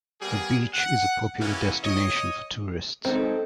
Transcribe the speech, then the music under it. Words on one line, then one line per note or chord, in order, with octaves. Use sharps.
The beach is a popular destination for tourists.
G3 A#3 B3 G#4
F#5
C#3 E3 F#3 A#3 B3 C#4
C#5 D#5
D#3 G#3 C4 C#4 D#4 A4